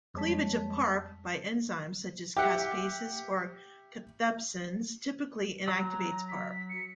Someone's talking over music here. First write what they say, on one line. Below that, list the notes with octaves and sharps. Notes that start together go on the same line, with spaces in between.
Cleavage of Parp, by enzymes such as caspases or cathepsins, typically inactivates Parp.
F2 G3 G#3 C#5 A5 B6
G4 E5 F#5
F#3 A#5
B6
C#7